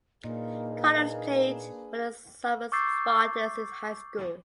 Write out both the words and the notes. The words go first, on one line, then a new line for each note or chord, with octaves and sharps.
Connors played for the Somers Spartans in high school.
A#2 A#3 D4 D#4 G#4 B4
C#6 D6 E6 G6 A6 C7